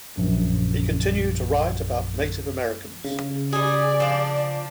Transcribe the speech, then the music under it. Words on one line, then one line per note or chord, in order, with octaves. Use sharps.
He continued to write about Native Americans.
A#1 F#2
C#3
G3 G#4 D5
F3 D4